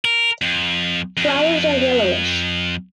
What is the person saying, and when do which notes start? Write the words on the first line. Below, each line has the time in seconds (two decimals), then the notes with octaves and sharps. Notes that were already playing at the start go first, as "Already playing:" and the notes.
Flowers are yellowish.
0.05 A#4
0.42 F2
1.17 F2